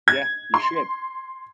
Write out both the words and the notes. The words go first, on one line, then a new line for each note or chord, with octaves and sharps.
Yeah, you should.
G#6
C6